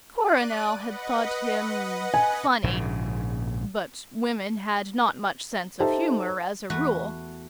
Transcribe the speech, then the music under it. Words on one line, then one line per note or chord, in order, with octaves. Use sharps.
Coronel had thought him--funny; but women had not much sense of humour as a rule.
D5 F#6 D#7
B4 D#5 F#5
G#5
A#1 G#2 C#3
D#4 G4 A4 C5 E5 A5
E2 A3 F#4 B4